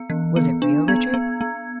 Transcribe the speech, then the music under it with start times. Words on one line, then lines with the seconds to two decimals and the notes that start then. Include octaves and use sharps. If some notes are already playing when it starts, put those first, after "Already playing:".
"Was it real, Richard?"
Already playing: B3
0.10 E3
0.36 B3
0.62 D4
0.88 B3 G#6
1.14 B3
1.41 B3